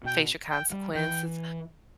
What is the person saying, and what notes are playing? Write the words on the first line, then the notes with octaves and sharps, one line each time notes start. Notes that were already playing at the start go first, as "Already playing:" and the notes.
face your consequences,
B2 G5
G5
G3
E3 G5